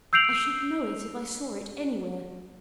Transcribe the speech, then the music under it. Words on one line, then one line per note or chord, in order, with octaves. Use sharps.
I should know it if I saw it anywhere.
E6 G6 C7 D7 F7 F#7